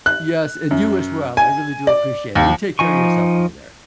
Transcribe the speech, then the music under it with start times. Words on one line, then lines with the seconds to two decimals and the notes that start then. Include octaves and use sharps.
Yes, and you as well, I really do appreciate it, you take care of yourself over there.
0.06 F#6
0.71 F#2
1.37 G#5
1.87 D5
2.36 D#2
2.79 F3 D#4 G#5 C#6